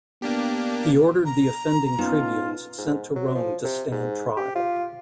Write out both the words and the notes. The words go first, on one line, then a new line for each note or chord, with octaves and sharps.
He ordered the offending tribunes sent to Rome to stand trial.
A#3 B3 D4 G4
A#5
B3 C#4 D#4 F4
G#2
F#3
F3
C3
G#2
G4
F4